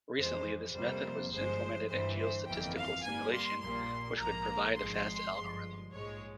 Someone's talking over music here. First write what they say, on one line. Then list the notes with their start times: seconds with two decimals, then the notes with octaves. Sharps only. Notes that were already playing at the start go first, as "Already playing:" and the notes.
Recently, this method was implemented in geostatistical simulation which could provide a fast algorithm.
0.16 F2 E3 G#3 C5
0.74 F2 C3 G3 A#3 C5
1.31 G1 G2 F3 G#3 C5
1.89 G1 G2 E3 C5
2.18 C5
2.46 G1 F2 E3 A#3 G5
2.75 F5
3.04 G2 G3 A#3 G#5
3.33 C6
3.62 A#1 A#2 G3 A#3 C6
4.19 A#1 G#2 F3 A#3 A#5
4.77 G#1 G#2 F3 G#3 C6
5.34 G1 G2 F3 G#3
5.91 A#1 G#2 F3 G#3 C#5